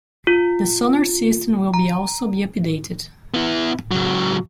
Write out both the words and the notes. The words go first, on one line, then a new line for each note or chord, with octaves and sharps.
The sonar system will be also be updated.
F4
A#5
B3 E4
C#2 F#3